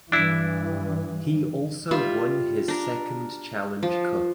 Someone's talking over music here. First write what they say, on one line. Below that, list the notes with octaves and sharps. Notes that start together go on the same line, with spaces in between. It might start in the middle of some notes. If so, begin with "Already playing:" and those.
He also won his second Challenge Cup.
G2 E3 D4 E4
G3 F4 E5
D4 A#4
F3